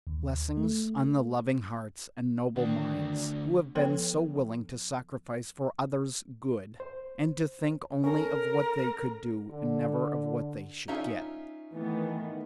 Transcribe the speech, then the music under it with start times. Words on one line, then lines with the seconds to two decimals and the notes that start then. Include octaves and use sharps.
Blessings on the loving hearts and noble minds who have been so willing to sacrifice for others' good and to think only of what they could do, and never of what they should get!
0.07 D#2
0.57 A3
2.56 D2 D#3 D4
3.75 F3 B3 A4 B4 C#5 G5
6.80 C5
8.04 C#4 A4 A#4
9.51 D3
10.88 C#4 D#4 F4 E5
11.73 D#3 E3 A3 B3